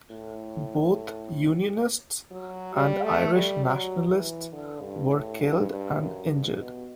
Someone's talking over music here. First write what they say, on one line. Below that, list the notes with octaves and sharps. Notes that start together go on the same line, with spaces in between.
Both unionists and Irish nationalists were killed and injured.
A2
F#3
G3
A3
G3
F#3
E3
D3
G2
A2
G2
G2
F#2
G2
B2